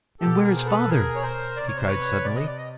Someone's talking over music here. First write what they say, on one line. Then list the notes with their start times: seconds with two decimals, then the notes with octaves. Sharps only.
"And where is Father?" he cried suddenly.
0.20 B2 G4 A4
0.43 G#4 A#4
0.56 C5
0.66 A4 B4
0.89 G#4 A#4
1.15 C#5
1.23 A#4 C5
1.57 C3 D5
1.67 C#5
1.77 C5
1.87 B4 C#5
2.24 D5
2.36 D#5
2.47 D5
2.58 D#5